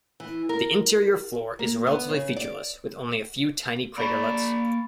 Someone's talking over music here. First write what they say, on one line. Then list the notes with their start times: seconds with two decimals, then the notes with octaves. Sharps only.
The interior floor is relatively featureless, with only a few tiny craterlets.
0.20 E3
0.49 A#4
1.59 A#3
1.87 B3
2.09 C#3
2.37 D5
3.98 A#3 D5 A5 B5 C#6 A6